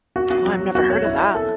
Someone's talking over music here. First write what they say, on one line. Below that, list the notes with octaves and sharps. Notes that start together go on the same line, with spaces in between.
Oh, I've never heard of that.
F#4
F#4
F#3
F#3
F#4
C#5
E4
E4
A4